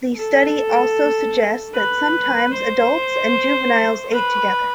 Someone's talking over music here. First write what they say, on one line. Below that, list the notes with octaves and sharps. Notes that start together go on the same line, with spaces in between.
The study also suggests that sometimes adults and juveniles ate together.
A4
B4
C5
B4